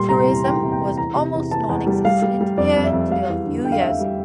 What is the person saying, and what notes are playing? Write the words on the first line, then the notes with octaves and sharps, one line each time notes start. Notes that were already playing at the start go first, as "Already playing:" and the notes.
Tourism was almost non-existent here till a few years ago.
Already playing: A#2 G3 C6
C3 A#5
E2
E2 G5
C3
G5
E2
E2 A#5
C3
E2
E2 A5
E2
G3
G3 F5
G3
G3
F2 D5
F2
E5
F2
G3 F5
E2
D3
D3 G5
F5
D3 E5
F5
G3